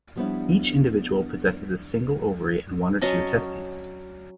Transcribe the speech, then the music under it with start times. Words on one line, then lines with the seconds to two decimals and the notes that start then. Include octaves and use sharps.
Each individual possesses a single ovary and one or two testes.
0.16 F3 G3 B3 D4 E4 C#5
3.01 F#3 C#4 D#5 A5